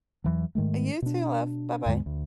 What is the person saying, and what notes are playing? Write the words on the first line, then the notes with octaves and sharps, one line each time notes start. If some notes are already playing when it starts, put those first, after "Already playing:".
You too, love. Bye-bye.
E2 E3 F#3
G#2 D#3 G#3 A3
B2 D4
D#2 G#2 D3 G#3
D2